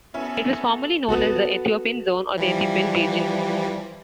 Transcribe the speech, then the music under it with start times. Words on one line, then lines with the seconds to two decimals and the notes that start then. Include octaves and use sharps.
It was formerly known as the Ethiopian Zone or Ethiopian Region.
0.14 B3 C#4 E4 F#4 A4
1.09 B3 F#4 A4
2.38 E3 F3 G3